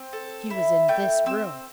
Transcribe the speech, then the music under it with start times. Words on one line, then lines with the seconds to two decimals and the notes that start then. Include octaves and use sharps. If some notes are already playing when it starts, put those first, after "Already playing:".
She was in this room.
Already playing: C4
0.13 A4
0.50 E4
0.88 A3 G5
1.26 C4 E6